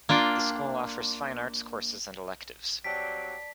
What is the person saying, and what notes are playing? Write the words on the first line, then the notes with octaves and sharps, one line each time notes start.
The school offers fine arts courses and electives.
A#3 D4 F4 G5
F#3 G3 C4 D5 A5 B6 D7